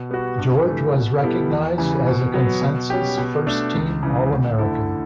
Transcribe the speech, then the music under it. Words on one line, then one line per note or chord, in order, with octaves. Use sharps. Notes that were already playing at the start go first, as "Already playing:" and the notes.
George was recognized as a consensus first-team All-American.
Already playing: B2
G3 B3 F#4
G2
E3 A3
B2
G3 B3 E4 A4
E2
C#3 E3 G3
B2
F#3 B3
B2
G3 C#4 G4
B2
A3 D4 A4
C#2
C#3 E3
D2
D3 A3 E4 A4